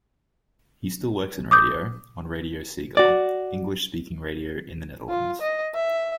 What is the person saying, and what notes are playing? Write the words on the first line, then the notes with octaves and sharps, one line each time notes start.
He still works in radio, on Radio Seagull, English speaking radio in the Netherlands.
D6 D#6 G6
F#4 D5
F4
D#5
E5